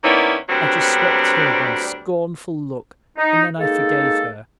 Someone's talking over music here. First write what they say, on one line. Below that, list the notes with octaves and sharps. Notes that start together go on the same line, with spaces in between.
I just swept her one scornful look and then I forgave her.
D#3 A#3 B3 C#4 E4 D5
D2 F#3 G3 B3 C4 D4
D#4
G#3 A#3 D#4 G#4 A4